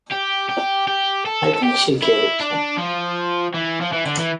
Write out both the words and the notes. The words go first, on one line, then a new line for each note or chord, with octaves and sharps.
I think she gave it him.
G4
G4
G4
A4
A4
G4
E4
D4
F3
E3
F3
E3
D3
E3